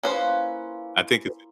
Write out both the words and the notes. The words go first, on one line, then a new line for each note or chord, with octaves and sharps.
I think it's
A#3 C#4 E4 F4 B4 C5